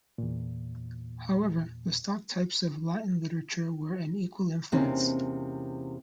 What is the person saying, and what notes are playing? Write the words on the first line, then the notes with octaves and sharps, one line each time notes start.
However, the stock types of Latin literature were an equal influence.
E2 A#2
E2 C3 A#3 C4 C#4 D#4